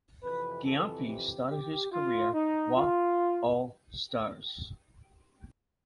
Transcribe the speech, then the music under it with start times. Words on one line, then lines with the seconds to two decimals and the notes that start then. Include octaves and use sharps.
Gyamfi started his career Wa All Stars.
0.24 F2 C3 E3 B4
0.65 A4
1.08 G4
1.50 G4
1.92 F4
2.34 D#4
2.76 F4